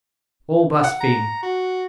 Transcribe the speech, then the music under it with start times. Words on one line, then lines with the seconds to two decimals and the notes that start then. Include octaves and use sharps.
All blaspheme.
0.84 F#5
1.01 A#5
1.43 F#4